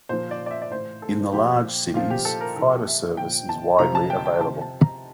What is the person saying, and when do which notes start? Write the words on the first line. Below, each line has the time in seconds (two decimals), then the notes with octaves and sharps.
In the large cities, fiber service is widely available.
0.09 A#2 F3 C5
0.31 D5
0.46 D5
0.51 E5
0.62 D5
0.71 A2 E3 C5
1.02 A4
1.33 A#2 F3 G4
1.94 A#2 F3 F4
2.10 G4
2.25 A4
2.41 A#4
2.56 A#2 F3 A4
2.71 G4
2.87 E5
3.17 A#2 F3 G5
3.49 A5
3.79 C3 F3 A#5
3.95 A5
4.10 G5
4.26 G5
4.41 C3 F3 A5
4.61 A5
4.82 A#5